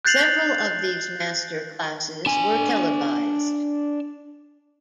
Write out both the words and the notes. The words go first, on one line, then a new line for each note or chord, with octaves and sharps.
Several of these master classes were televised.
F#6 G6 A6 C7 F7 F#7
D4 G#5